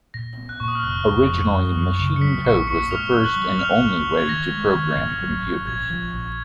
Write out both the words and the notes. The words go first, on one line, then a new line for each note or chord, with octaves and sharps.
Originally, machine code was the first and only way to program computers.
A#2 A#6
B3
F#6
A#2 C#6
D#6
F6
F1 F#6
F1
F2
F#2
F#2
C#3
C#7
F#3 B6
A#1 C#6 C#7
A#2 C#6 C#7
G#2 F6 F7
G#1
F#6 F#7
F#3
G#1 F6 F7
G#1
G#2
G#6
D#3 A#6
G#3
D#3
G#1
F#3
G#1
A#1 G#6
F3
A#1